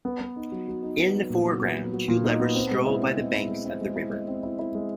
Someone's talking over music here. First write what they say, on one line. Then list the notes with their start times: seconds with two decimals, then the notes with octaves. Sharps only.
In the foreground, two lovers stroll by the banks of the river.
0.05 B3
0.21 B3
0.36 D#4
0.52 F#3
0.68 F#3
0.83 D#4
0.99 B3
1.14 F#3
1.30 A#2
1.46 F#3
1.61 B3
1.77 F#3
1.93 F#3
2.08 A#2
2.25 D#4
2.40 B3
2.55 C4
2.71 G#3
2.86 E4
3.02 C4
3.18 G#3
3.34 E4
3.49 G#3
3.65 C4
3.81 G#3
3.96 E4
4.12 G#3
4.28 C4
4.43 E4
4.59 E4
4.75 G#3